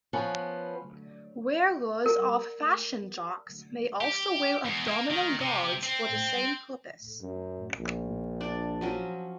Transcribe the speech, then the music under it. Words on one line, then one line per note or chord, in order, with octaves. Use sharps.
Wearers of fashion jocks may also wear abdominal guards for the same purpose.
F3 B3 C#4 B4
A#4
G4
E2
A#3
D#3
C3
C4
F#2
A#1
D4 D5
F3 F#3 C#4